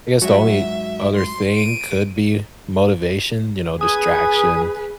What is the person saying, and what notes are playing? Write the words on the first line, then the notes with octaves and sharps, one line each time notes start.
I guess the only other thing could be motivation, you know, distraction
G#2 F#3 F#4 E5
C6
D7 D#7
G#4 B4 G#5 D#6